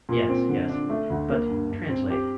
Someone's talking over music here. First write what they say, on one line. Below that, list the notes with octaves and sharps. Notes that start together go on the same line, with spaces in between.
"Yes, yes--but translate."
A#2
C4
D3
D4
A3
D2
A#3
G2
G2
C4
G4